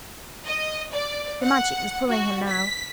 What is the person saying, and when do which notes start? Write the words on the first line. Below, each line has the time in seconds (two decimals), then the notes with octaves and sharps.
The Magic was pulling him now.
0.46 D#5
0.92 D5
1.42 F#5
2.10 F#4
2.48 B6